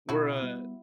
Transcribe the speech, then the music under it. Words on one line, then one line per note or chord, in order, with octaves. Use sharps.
we're, uh,
B2 E4 F#4
G3 B3